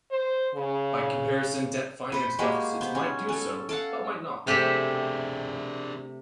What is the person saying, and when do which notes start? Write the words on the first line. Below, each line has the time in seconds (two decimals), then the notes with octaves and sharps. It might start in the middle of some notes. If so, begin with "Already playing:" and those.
By comparison debt finance deficits might do so, but might not.
0.11 C5
0.55 C#3
2.12 B4 C5
2.39 G#3 A#3 F#4 G4
2.81 B3 C5
2.95 C#4
3.29 C#4 A4
3.69 A4 F5 F#5
4.47 C3 A3 D4 G4 G#4